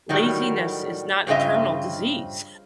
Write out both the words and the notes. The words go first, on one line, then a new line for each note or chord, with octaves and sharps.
"Laziness is not a terminal disease,"
A2 D#3 F#3 G3
G2 C#3 C4 F4 D#5 E5